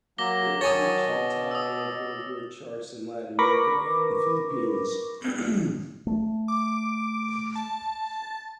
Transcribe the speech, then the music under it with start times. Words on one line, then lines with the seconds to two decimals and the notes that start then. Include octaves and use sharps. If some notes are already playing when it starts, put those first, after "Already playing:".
It reached the top of Billboard charts in Latin America and the Philippines.
0.18 F#3 A#3 D6 A#6 G7
0.61 D#3 F#3 C#5 G#5 A5 D#6 A6
1.06 B2
1.51 D#6 E6
3.39 A#4 B4 B5 C#6 D6 A#6
6.07 A3
6.48 D6
7.55 A5